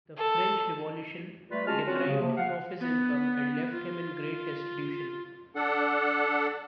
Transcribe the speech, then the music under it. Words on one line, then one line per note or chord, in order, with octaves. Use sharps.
The French Revolution deprived him of his income and left him in great destitution.
A4
G3 A3 F4 B4
G#3 C#4 F4 F#4 A5 F6
F#3 C4 C#4 F4 F#4
C#3
C3 F3 A#3
F5 F#5
B3
F4
D4 A4 F#5